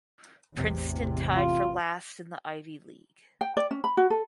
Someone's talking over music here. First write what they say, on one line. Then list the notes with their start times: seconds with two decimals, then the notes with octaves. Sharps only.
Princeton tied for last in the Ivy League.
0.54 A1 E2 C3
1.36 F4
3.41 G5
3.57 D5
3.71 C#4
3.84 B5
3.97 F#4
4.10 A4